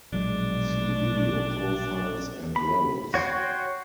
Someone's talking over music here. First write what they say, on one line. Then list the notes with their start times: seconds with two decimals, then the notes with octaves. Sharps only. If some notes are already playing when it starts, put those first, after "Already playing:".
See Video profiles and levels.
0.13 A#1 B2 F#3 G#3 D4
2.56 B5
3.14 F#4 C#5 G5 C6